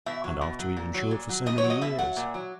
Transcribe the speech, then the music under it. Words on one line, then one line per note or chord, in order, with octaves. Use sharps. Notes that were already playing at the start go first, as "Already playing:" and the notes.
And after we've insured for so many years!
B2 E5
F#3
B2
F#3
A#2
F#3
A#2
F#3
B2 D#5
C#5
F#3
D#5
B2 E5
F#3 F#5
A#2
F#3